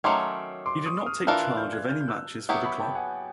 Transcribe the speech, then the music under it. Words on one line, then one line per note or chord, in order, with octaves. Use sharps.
He did not take charge of any matches for the club.
D#3 F#3 A3 C#4 C6 D6
C6 D6
C#6 D#6
D#6 F6
E3 A3 D4 F4 A#4 E6 F#6
E6 F#6
F6 G6
F#6 G#6
F6 G6
G6
E6 F#6
F#3 B3 E4 G4 C#6 D#6
B5 C#6
G5 A5
F#5 G#5